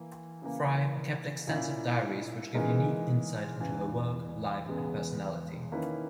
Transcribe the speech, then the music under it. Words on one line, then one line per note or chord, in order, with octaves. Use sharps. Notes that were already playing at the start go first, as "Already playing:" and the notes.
Fry kept extensive diaries which give unique insight into her work, life and personality.
Already playing: E3 A#3
C#3 E3 A#3
A#2 A#3 C#4 E4
C#3 E3 G#3 D#4 A#4
E2 C#3 E3
E2 C#3 G#3 B3
D#3 A#3 C#4 E4 B4